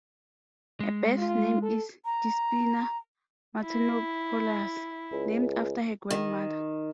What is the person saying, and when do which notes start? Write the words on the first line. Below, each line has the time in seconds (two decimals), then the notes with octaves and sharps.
Her birth name is Despina Matenopoulos, named after her grandmother.
0.80 G#3
1.18 F4
1.63 A4
2.05 A#5
3.64 E4
5.12 C#2
6.11 D#3